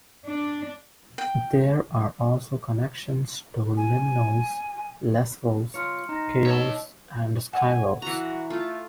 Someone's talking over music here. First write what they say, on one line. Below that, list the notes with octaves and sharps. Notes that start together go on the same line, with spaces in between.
There are also connections to Limnos, Lesvos, Chios and Skyros.
D4
G5
G#5
F4 C#5 C6 F6 C#7
D#4 A#5 A#6
C#5 D#5 A5 E6
F#5 G#5
E3 F#4 A#5
A3 F4